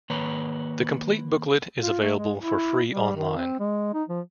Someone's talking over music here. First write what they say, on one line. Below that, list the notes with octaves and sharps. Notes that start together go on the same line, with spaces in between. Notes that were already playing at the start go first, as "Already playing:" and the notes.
The complete booklet is available for free on-line.
D#3 A#3 B4 C#5 A#5
F4
A3
G#3
E4
G3
D#3
C4
G#3
D#4
F3